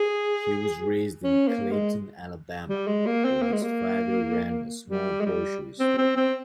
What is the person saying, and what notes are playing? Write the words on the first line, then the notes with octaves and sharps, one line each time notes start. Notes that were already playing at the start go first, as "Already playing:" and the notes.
He was raised in Clayton, Alabama, where his father ran a small grocery store.
Already playing: G#4
C#4
A#3
G#3
G3
G#3
A#3
C4
A#3
G#3
A#3
G3
G#3
G3
C4
C4
C4